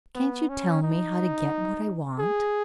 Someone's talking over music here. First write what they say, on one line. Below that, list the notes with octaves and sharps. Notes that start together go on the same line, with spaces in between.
"Can't you tell me how to get what I want?"
B3
C#4
D#4
G#4